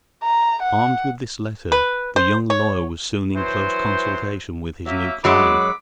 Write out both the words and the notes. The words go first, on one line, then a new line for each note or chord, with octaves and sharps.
Armed with this letter the young lawyer was soon in close consultation with his new client.
A#5
F#5
B4
C5
C#5
E3 F#3 C5
F#3 A#3 E5
F#2 F#3 G#3 B5 D6